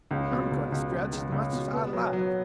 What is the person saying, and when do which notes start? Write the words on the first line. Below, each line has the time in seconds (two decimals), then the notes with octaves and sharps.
"I'm going to scratch as much as I like!"
0.11 C#2
0.31 B2
0.52 C#2
0.72 C#2
0.92 C#2
1.13 C#2
1.32 C#2
1.53 B2
1.74 B3
1.93 F#3
2.13 F#3